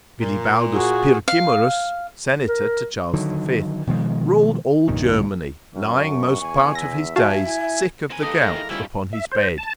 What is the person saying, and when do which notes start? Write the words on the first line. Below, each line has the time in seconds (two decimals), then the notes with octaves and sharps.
Bilibaldus Pirkimerus, senator to Charles the Fifth, ruled all Germany, lying most part of his days sick of the gout upon his bed.
0.20 A#2
0.74 F#4 G#4
1.28 F5
2.48 A#4
3.14 D3 D#3 F#3
3.87 B2 D#3 F3 G#3
4.88 C2 G2 A#2 D#3
5.75 F#2 C#6
6.41 E2 G#5
6.75 E5 A#6
7.16 F#4 E5 F5 G#5 A5
7.47 E4 G#5
8.10 C4 A#4 B4 G#5
8.23 A#3 D#4 G4 A4 D#5 F5
8.41 G#3 A#4 D5 A#5
8.56 E3
8.70 F3 G3 C#4 D#4 E4
9.13 E5
9.32 C5
9.58 A5